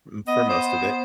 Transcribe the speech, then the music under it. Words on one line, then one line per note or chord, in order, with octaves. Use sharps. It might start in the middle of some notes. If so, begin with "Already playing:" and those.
mm, for most of it,
B3 D#5
C5